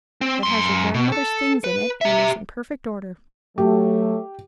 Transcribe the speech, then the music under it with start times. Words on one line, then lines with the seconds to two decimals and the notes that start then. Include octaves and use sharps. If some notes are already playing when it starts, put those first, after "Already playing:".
That has your grandmother's things in it, and is in perfect order.
0.21 C4
0.43 F#2 C6
0.94 B2
1.12 A4
1.64 B4
2.01 G4 E5
3.58 F#3 A3 G4